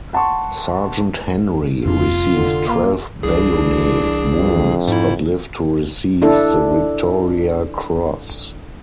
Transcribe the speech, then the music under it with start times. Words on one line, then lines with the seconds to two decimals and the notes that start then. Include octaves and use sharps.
Sergeant Henry received twelve bayonet wounds but lived to receive the Victoria Cross.
0.13 F#5 A5 C6 C#6
1.86 F1 C3 F4
2.27 D3
2.68 A#3
3.23 C2 E3 D4 G#4
4.38 F2
4.88 G#2 E4
6.22 D4 E4 A4